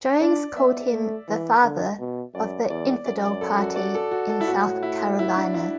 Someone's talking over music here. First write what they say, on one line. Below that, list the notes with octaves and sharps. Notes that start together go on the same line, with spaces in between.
Jones called him "the Father" of the "infidel Party" in South Carolina.
D4 D5
B3 E5
A3
E3
D3
B2
F#2 D5
E2 D5
F#2 D5
D5
A4
F#4
D5
A4
F#4
A4
E4
A2 F#4
E4
E4
D4
E4